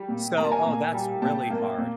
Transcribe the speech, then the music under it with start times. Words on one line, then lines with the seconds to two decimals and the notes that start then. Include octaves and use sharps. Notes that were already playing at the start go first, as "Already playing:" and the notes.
So, oh, that's really hard.
Already playing: G3
0.09 A#2
0.37 A#3 A#5
0.44 A5
0.52 G#5 A#5
0.66 A#2
0.94 G3
1.22 A#2 G5 A5
1.50 A#3
1.78 A#2